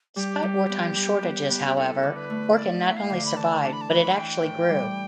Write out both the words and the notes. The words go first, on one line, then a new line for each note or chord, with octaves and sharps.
Despite wartime shortages, however, Orkin not only survived, but it actually grew.
G3 G4
G3
B3
G3
B3
B3
G4
E4 A4
D3
B4
A3
E4 D5
E4 E5
F5
D3
B5
E3 A5
D4 A5
B5
A5
E3 B5
E3 G5
A2
G3